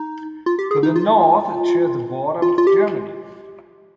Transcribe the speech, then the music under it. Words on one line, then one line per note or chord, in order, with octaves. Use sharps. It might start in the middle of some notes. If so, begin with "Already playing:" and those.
To the north, it shares a border with Germany.
Already playing: D#4
F4
G4
G#4
D#4
F4
F4
F4
G4